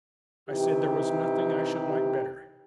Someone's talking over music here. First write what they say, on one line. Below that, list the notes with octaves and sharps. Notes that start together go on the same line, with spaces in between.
I said there was nothing I should like better.
C3 E3 D#4 G4